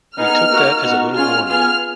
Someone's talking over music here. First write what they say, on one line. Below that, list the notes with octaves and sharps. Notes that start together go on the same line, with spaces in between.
We took that as a little warning.
B3 D#4 G#4 F6
A#3 D#4 F#4
B3 D#4 F#4
C#4 F4 G#4 F6
B3 F4 G#4 F6